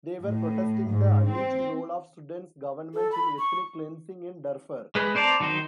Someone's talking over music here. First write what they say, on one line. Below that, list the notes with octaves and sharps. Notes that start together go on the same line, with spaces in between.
They were protesting the alleged role of Sudan's government in ethnic cleansing in Darfur.
A2
G#2
C4
A4
B5
C#6
G#3 B4
C4 C5 D5 A5 A#5
D#3 F#3 D#4 C5